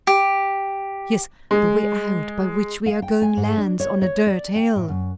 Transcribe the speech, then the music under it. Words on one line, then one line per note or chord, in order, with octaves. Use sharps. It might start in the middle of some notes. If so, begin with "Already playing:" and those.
"Yes; the way out by which we are going lands on a dirt hill."
G4
G#3
F5
G5
G#5
G#2
D4
C#5
C#5
D5
G5
A2
F#2